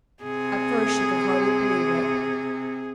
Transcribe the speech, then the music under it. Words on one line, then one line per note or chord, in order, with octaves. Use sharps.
At first she could hardly believe it.
C3 G#4